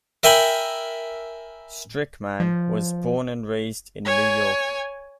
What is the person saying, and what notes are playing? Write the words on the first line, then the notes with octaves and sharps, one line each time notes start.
Strickman was born and raised in New York.
A#4 E5 G5 G#5 B5
F3
C#5 G#5